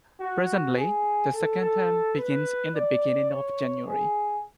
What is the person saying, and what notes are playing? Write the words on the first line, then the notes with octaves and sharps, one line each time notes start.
Presently, the second term begins in the beginning of January.
F#4
G#4
A4
A4
B4
D5
C#5
G#4